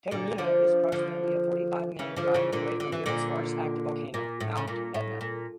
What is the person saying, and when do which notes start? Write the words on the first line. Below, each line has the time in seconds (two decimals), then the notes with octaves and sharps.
Taormina is approximately a forty-five-minute drive away from Europe's largest active volcano, Mount Etna.
0.11 A#2 D3
0.38 D3 F3
0.92 D3 F3
1.99 C#3 E3
2.16 D3 F3
2.34 C#3 E3
2.53 A#2 D3
2.80 D3
2.92 E3
3.06 A#2 D3
4.14 A#2
4.40 A2
4.57 C#3
4.68 A#2
4.94 A2
5.21 A#2